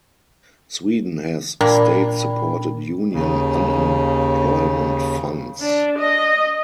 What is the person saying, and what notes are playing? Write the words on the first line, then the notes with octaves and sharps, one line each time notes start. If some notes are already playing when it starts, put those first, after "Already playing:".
Sweden has state-supported union unemployment funds.
A#2 D4 A#4 G5 B5
D#2 C#3
D4
D#5